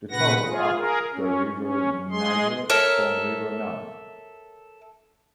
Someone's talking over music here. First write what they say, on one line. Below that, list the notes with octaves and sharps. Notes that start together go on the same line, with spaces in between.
They traveled up the River Niger from River Nun.
A#2 C#3 B4 F#5 A#6
F4 G#4
G#4 A#4
C#4
C#4
G#3 G#4 C6
A4 A#4 C#5 E5